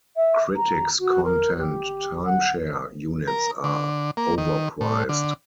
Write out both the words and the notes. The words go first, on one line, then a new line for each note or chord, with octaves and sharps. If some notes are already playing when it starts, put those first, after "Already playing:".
Critics contend timeshare units are overpriced.
E5
A#5
F#4
A#4
G4
F#5
A#4
D3
A#3
D#3
A2
D3